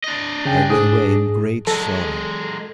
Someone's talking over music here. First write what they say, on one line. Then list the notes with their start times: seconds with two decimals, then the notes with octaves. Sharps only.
I went away in great sorrow.
0.04 D4 D#5
0.45 C#3 G5 G#5
0.70 G#2 G#4 D#6
1.67 F#3 G#3 A4